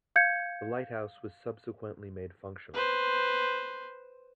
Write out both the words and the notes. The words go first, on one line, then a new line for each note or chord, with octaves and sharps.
The lighthouse was subsequently made functional.
F5 G6 G#6 C#7
B4 C5